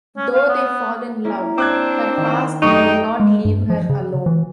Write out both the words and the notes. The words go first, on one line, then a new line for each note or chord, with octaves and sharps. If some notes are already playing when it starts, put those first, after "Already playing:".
Though they fall in love, her past will not leave her alone.
C#4
F5
B3
A#3 C#4 E4
C4 D4 D6 F#6 G#6
D#3
F#2 G3 A3 D4 D#4 G5 C#6 D#6
G#3
G2
F3
C#3
E3